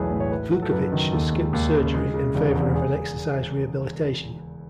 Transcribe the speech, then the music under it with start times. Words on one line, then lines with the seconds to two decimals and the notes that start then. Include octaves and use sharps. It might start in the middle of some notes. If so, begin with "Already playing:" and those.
Vuckovich skipped surgery in favor of an exercise rehabilitation.
Already playing: E1 B1 E2 E3 A3 G#4 B4 C#5
0.11 A2
0.20 C#5
0.31 A3 B4
0.51 F#3
0.62 A4
0.72 F#2 B4
0.92 D#3
1.12 D#2 A4
1.33 G#3
1.53 D#2
1.74 C#3
1.94 G#3
2.14 C#3
2.35 E1
2.55 E2
2.75 G#4